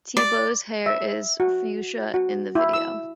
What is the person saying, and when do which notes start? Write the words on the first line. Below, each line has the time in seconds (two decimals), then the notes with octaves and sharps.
T-Boz's hair is fuchsia in the video.
0.17 D5
0.86 E5
1.40 F#4
2.14 F#4
2.55 E4
2.73 E6